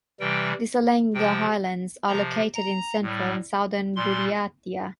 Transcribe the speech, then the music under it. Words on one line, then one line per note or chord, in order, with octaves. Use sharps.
The Selenga Highlands are located in central and southern Buryatia.
C3 E3 G3 G5
C3 F3 G5
C3 F3 A#5
A#5
A2 G3
A#2 G3 C6